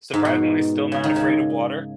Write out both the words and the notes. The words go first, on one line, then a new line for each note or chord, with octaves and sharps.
surprisingly still not afraid of water.
G#2
B2
C#3
D#3
C#3